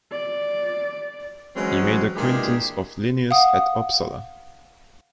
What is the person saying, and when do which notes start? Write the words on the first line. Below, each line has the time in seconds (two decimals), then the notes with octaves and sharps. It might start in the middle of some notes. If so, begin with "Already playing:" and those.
He made the acquaintance of Linnaeus at Uppsala.
0.12 D5
1.55 E3 F#3 G#3 C4 C#4
2.16 A#2 E3 G#3 D4 G4 G#4
3.31 F5 F#5 D#6